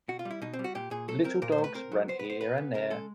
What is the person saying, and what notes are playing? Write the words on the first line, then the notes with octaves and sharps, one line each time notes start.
Little dogs ran here and there.
B2 F#4
F4
G3
E4
B2 D#4
C4
G3
F#4
A#2 G4
A#2 G#4
F#3 A4
C4 A#4
A#2 A#4
C5
A3
B4
C4 A#4
F#3
B3 C5
B4
B3
C5
B3 B4
C#3
C#3 A#4
G#3 A4